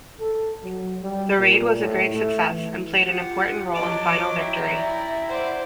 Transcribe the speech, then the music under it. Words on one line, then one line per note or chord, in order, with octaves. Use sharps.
The raid was a great success, and played an important role in final victory.
A4
F#3
G3
A#2
A2
A3
E3
F4 G4 F#5
F3 F#3 D#5 A5 D6
E4 E5 G5 A#5
E4 D5
C5 D5 F#5